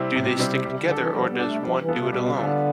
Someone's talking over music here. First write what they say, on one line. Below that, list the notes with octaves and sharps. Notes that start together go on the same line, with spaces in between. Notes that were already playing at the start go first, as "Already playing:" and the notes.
Do they stick together or does one do it alone?
Already playing: C3 G3 C4 E4
A2 C3
B2
G3 C4 E4
C3
C3 G3
D3
D4 A4
E3
F3 G3
B3
D4 A4
A3
F3 G3
E3
B3 F4 A4
C3
B2 G3
D3 B3 F4 A4